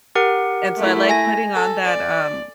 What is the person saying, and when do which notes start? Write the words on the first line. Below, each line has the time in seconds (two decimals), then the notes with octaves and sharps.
And so, I like putting on that, um,
0.15 G4 A#4 F#5
0.77 A3 E4
1.09 G#5 A#6
1.55 A4
1.85 D5